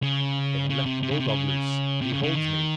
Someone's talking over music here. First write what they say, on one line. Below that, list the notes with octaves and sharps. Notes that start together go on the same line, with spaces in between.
"They have let the bull-dog loose, and he holds me!"
C#3
C#3
C3
C3
C#3
C3
C#3
C3
C#3
C#3
D#3